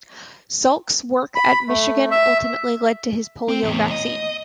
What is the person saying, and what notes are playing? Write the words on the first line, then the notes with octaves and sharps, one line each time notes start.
Salk's work at Michigan ultimately led to his polio vaccine.
B5
A3
E5
C4
E2 A2
D#5